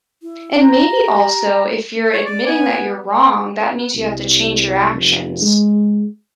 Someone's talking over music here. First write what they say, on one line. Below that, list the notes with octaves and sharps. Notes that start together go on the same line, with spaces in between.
and maybe also if you're admitting that you're wrong, that means you have to change your actions,
E4
A#5
G4
C#5
D5
B3 G#5
C2
F1
G#3